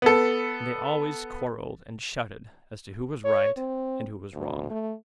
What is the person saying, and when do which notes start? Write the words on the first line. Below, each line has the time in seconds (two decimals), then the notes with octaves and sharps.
And they always quarrelled and shouted as to who was right and who was wrong.
0.02 B3 A4
3.25 C#5
3.57 C4
4.33 D2
4.70 A3